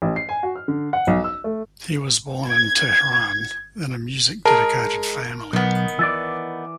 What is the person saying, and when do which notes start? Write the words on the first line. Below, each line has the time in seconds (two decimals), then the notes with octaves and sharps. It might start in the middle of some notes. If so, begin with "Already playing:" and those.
He was born in Tehran in a music-dedicated family.
0.02 A1
0.16 C7
0.29 G#5
0.43 F#4
0.56 F6
0.68 D3
0.93 F#5
1.07 B1
1.24 E6
1.44 A3
2.49 G#6
4.45 G#3 A#4 A5
5.53 B1 D#3 B3
5.99 E3 D5 E6 A6